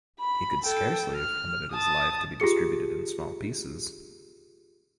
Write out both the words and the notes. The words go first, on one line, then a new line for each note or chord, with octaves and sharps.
He could scarcely have permitted his life to be distributed in small pieces.
B5
A4 G5
F6
A5 D#6
F4 G4 G#4 C#7